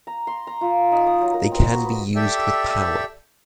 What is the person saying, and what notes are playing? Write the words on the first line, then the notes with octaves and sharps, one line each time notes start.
They can be used with power.
A#5
C6
A#5
F4
D#4
D#6
F#3
A#4
C4
F#4
B4
G4 A4 D5 E5 G5